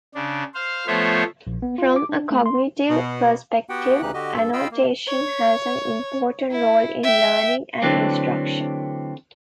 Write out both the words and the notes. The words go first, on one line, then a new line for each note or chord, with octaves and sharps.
From a cognitive perspective annotation has an important role in learning and instruction.
C#3 D4
C5 F5
F3 A3 B3 C5 C#5 E5
A#1
B3
F4
D6
D4
A3
C6
B2
B3 F#4 G4 F#5 G5
D2 C#3 E3 D#4 G4 F#6
D3 F#4 G4 D#5
G2 A4
F4 D#5 F5 G5 B5 E6
A#3
C#5
E4
E5 G5
D3 E3 F#3 A3 C4 D4